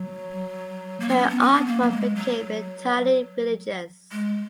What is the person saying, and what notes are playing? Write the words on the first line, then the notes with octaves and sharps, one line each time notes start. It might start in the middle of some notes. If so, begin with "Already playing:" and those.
Her artwork became entirely religious.
Already playing: F#3
A#3
B3
C#4
B3
C#4
B3
A#3
F#3
G#3
F#3
G#3